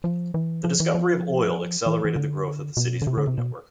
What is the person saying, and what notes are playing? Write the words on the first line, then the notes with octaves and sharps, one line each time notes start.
The discovery of oil accelerated the growth of the city's road network.
F3
E3
F3
E3
F3
E3
E3
D3
B2
D3
C3
D3
C3
B2